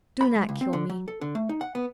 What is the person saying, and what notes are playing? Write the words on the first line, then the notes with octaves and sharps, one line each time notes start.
Do not kill me.
B5
G#3
C#2
C4
D3
F#3
A4
D3
A3
D#4
F#5
B3